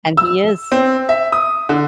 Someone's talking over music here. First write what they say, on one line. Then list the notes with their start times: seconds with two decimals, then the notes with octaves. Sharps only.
and he is.
0.17 E6
0.72 C4
1.09 E5
1.32 D#6
1.69 D3